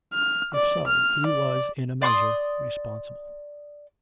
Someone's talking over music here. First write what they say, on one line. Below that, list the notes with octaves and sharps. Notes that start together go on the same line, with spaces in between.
If so, he was in a measure responsible.
F6
D5
F6
D5
D5 C6 C#6 D#6